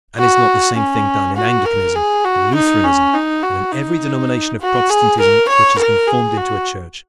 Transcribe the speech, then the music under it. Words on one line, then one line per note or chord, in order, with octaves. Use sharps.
And is not the same thing done in Anglicanism, Lutheranism, and every denomination of Protestantism which has been formed into a church?
F#4
C#4
F#4
A#4
G#4
F#4
D#4
C#4
D#4
F#4
D#4
F#4
G#4
A#4
C#5
A#4
G#4
F#4